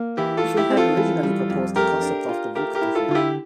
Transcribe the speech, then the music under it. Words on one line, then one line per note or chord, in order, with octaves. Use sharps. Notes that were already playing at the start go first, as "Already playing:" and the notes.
She had originally proposed the concept of the book to him.
Already playing: A#3
E3 E4 G4
F4 A4
A3
E4 G4
C4
F4 A4
E3
G3
F2
A3 G4 A#4
D4
F4
A3 G4 A#4
G4 A#4
E4
F4 A4
D3 F4
E4 G4